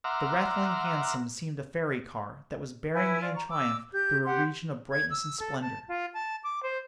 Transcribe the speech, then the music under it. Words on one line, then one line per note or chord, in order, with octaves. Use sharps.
The rattling Hansom seemed a fairy car, that was bearing me in triumph through a region of brightness and splendour.
E5 F#5 A#5 C6 D6 F6
E4 B4 G#5
F4 D5
A#5 C#6
D6 E6
G4 G6
G4 F#5 C6
G#6
E6
A4
A5
F4
A5
D6
C5